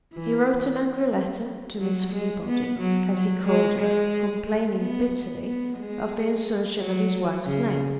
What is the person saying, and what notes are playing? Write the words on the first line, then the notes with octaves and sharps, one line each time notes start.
He wrote an angry letter to Miss Fleabody, as he called her, complaining bitterly of the insertion of his wife's name.
E3
F#3
G#3
B3
F#3
F#3
G#3
G#3
B3
B3
G#3
F#3
C#3